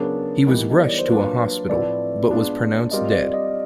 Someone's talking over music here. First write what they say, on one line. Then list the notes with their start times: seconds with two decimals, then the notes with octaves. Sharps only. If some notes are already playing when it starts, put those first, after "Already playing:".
He was rushed to a hospital but was pronounced dead.
Already playing: C#3 F#3 B3 D4 A#4
0.47 E3 G3 B3 D#4
0.70 D#5
0.80 D5
0.89 C#5
0.99 C5
1.09 F#3 A#3 D4 F4 B4
1.69 A2 F3 A3 C4 E4 D5
2.31 G#3 B3 D4 F4
2.92 G3 C4 F4 A#4 D#5
3.12 D5
3.34 D#5